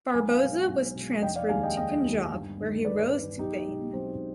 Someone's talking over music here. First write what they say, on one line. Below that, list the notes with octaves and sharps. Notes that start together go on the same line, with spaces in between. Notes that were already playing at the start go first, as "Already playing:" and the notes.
Barboza was transferred to Punjab where he rose to fame.
B1 G#5
F5 G#5
B2 G#3
B1
B2 G#3
F1 D#5 G5
D5 F5
D#2 D#3 G#3 F5 G#5
D#5 G5
F1 D#5 G5
D#2 D#3 G#3
G1
G2 D#3
G1 B4 D5
G2 D#3
B1 D#4 G4
B2 G#3
B1 C4 D#4